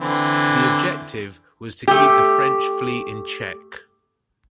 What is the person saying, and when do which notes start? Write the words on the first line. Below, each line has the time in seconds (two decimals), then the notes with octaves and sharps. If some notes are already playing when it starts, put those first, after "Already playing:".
The objective was to keep the French Fleet in check.
0.01 D3 E3 C4
1.88 A3 G4